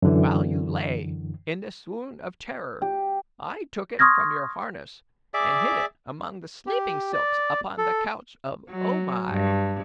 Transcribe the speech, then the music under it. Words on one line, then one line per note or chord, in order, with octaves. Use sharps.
While you lay in the swoon of terror I took it from your harness and hid it among the sleeping silks upon the couch of O-Mai.
F#2 D3 E3
G4
C6 C#6 D#6 F6 G#6 A#6
G#4 D5 E5 D6
G4
D5
A4
F#3
G2